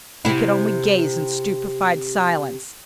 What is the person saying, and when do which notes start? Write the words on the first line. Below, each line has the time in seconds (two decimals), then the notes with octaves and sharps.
He could only gaze in stupified silence.
0.25 C3 E4